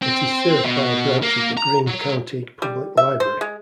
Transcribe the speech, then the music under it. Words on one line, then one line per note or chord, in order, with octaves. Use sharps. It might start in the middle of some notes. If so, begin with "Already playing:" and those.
It is served by a branch of the Greene County Public Library.
C4
B2
A#3
A#5
F#3
G3
E5
C5
G#3